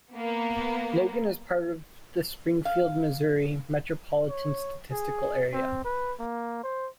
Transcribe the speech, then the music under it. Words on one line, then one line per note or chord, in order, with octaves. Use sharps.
Logan is part of the Springfield, Missouri Metropolitan Statistical Area.
A#3 B3
F5
C#5
G#4
C4
B4
A#3
C5